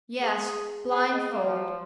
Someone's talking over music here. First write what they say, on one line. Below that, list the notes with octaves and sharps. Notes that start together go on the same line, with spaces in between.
Yes; blindfold.
G#4
G#4
D#5
A#3
F3